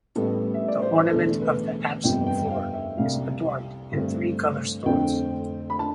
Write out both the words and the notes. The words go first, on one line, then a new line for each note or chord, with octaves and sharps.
The ornament of the apse floor is adorned in three color stones.
A1 A2 G3 B3 A4
E5
D5
C5
B4
E1 E2 D3 A3 A4
B4
G1 F2 C3 G3 B3 G5
G5
F5
E5
C2 C3 G3 F5
G2 D3 A3 C4
F2 D3 A3 C4 G5
B5
D4 A5